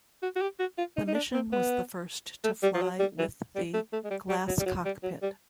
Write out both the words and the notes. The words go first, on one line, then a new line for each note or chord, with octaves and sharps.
The mission was the first to fly with the "glass cockpit".
F#4
F#4
G4
F#4
F4
D#4
D#4
D4
C4
B3
A3
G3
F3
F#3
G3
E3
G3
A3
A3
G#3
G3
G3
F#3
G3
F#3
G3
F#3
G3